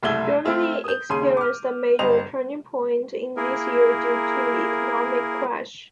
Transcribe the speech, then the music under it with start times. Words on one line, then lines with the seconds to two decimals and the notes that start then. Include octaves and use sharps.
Germany experienced a major turning point in this year due to the economic crash.
0.03 F#1 C2 A3 E4 G#6 G7
0.45 A3 C4 E4 F4 E5
0.84 D#6 G6
1.10 D#2 C#3 C#4 G#4 C6 D#7
1.37 D6 F6
1.99 G1 G3 C5 D#5 F7
3.37 A#3 E4 G#4 A#4